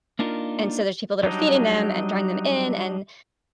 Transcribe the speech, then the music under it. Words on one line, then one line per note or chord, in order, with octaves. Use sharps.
and so, there's people that are feeding them and drawing them in, and,
A#3 D4 D#4 F4 A#4
F#3 G3 D4 D#4